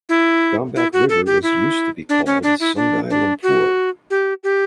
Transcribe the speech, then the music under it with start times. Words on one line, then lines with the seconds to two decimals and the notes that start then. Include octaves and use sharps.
Gombak River was used to be called Sungai Lumpur.
0.09 E4
0.76 E4
0.93 F#4
1.09 A4
1.26 G4
1.43 E4
2.09 D4
2.26 C#4
2.43 D4
2.60 E4
2.76 D4
3.10 D4
3.43 F#4
4.10 G4
4.44 G4